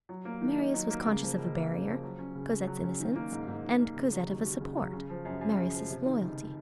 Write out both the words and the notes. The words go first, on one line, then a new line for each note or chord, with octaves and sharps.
Marius was conscious of a barrier, Cosette's innocence; and Cosette of a support, Marius' loyalty.
F#3
A#3
D#3
D#4
F#3
A#3
C#3
F3
C#2
A#3
C#3
F3
F#3
C#4
C#3
C#3
F#3
C#4
D#3
A#3
G#2
G#2
D#3
A#3
C#3
F#3
D#2
D#2
C#3
F#3
C#3
F3
F#2
F#2
C#3
F3
C3
D#3
C#2